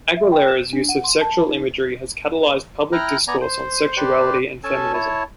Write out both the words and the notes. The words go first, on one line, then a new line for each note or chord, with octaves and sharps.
Aguilera's use of sexual imagery has catalyzed public discourse on sexuality and feminism.
E5
G5
E7
D4
F#5
C6
A5
D#4
E4 G5 A#5 F6 F#6
B3 D5 G#5 A#5
C5
G4 B4 C5 D5
C#4 A4 G#5 A5
E4 C#5 A5